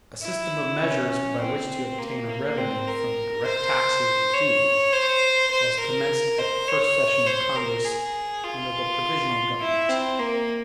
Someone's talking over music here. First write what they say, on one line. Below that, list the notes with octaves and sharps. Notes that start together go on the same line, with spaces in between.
A system of measures by which to obtain a revenue from direct taxes and duties was commenced at the first session of Congress under the provisional Government.
E4
C#4
C4
A#3
A#3
C4
A#4
C5
C#5
C5
C5
A#4
C5
C#5
C5
A#4
G#4
F4
E4
C4
A#3